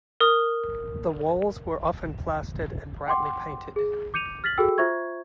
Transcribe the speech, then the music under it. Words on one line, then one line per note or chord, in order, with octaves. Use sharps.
The walls were often plastered and brightly painted.
A#4 D#6
F#5 G5 C6 D6
G#4
D6 G6 C#7 D#7 F7
F6 A6 B6 F#7
F#4 G#4 A4 G5 E6
F4 C5 E5 C#6 G#6